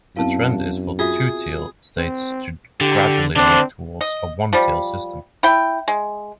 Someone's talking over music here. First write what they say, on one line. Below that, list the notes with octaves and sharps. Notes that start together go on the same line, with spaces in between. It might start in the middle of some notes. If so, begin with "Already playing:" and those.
The trend is for two-tier states to gradually move towards a one-tier system.
F#2 B3 C4 E4 F5 A5
F4 F#4 G#4 E5
C4
D3 G4
D3 C4 D4 C5
D#5
F3 G3
E4 G5
G#3